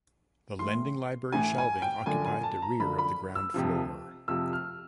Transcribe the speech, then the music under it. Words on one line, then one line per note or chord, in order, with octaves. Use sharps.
The lending library shelving occupied the rear of the ground floor.
A2 E3 C6
A2 E3 G#5
G#5
G5
F#2 D3 F3 G#5
G#5
A5
A#5
F#2 D3 F3 B5
B5
E6
F2 C3 F3
F2 C3 F3 E6
F6